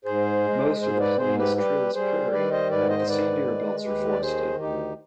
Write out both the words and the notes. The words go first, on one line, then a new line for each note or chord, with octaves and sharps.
Most of the plain is treeless prairie, but the sandier belts are forested.
G#2 G#4 C5
G#3
G#2 G#4 C5
B4 D5
G#2 G#4 C5
G4 B4
G3 G4 B4
G3 G#4 C5
D#3 B4 D5
C5 D#5
G#2 B4 D5
C5 D#5
C5
D#3 B4 D5
G#3
D#2 G4 B4
D5
D#3 G#4 C5
D2 D#4 G4